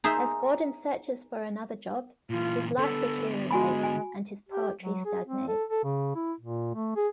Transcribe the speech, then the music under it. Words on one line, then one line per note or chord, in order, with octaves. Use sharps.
As Gordon searches for another job, his life deteriorates, and his poetry stagnates.
D#4 G#4 C5 E5
A#2 E3 F4
D3 B3 A4
G#3 F#4 G#5 B5
G#5
G4
F#3
G#4
C4
A4
A4
C#3
E4
A#2
A3
G#4